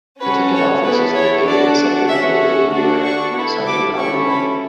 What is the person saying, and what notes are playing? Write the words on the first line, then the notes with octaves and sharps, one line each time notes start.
The ticket office is located in separate building near southern underway.
C#4 F#4 A4 B4
C#5
B3 E4 A4 B4
C#5
D4 F#4 A4 D5
C#4 F#4 A4 E5
D4 F#4 A4
C#6
B3 E4 A4
D6
C#4 E4 A4 C#6
B5